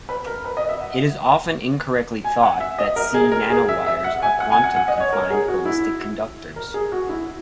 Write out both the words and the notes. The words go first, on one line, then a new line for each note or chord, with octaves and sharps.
It is often incorrectly thought that Si nanowires are quantum confined ballistic conductors.
B4
A#4
B4
D#5
E5
F#5
G#5
F#5
E5
D#5
A#4
G#4
A#4
G#4
E5
E5
F#5
G#5
F#5
G#5
F#5
F#5
D#5
C#5
A#4
G#4
F#4
E4
A#4
G#4
F#4
E4